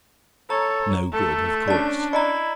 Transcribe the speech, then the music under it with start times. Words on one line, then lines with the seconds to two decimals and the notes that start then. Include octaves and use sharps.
No good, of course.
0.50 A4 C#5 A#5
1.13 A3 A4
1.68 C#4 D4 D5 A5
2.13 E4 D5 D#5 A#5